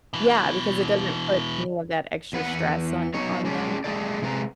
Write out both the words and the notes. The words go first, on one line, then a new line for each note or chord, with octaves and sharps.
Yeah, because it doesn't put any of that extra stress on on them.
B2 E3
E2 B4 F#5
F#3 B3 D#4 C#5
G#3 C#4 D4
G#3 G#4 A4 D5
C3 G#3 B4 A#5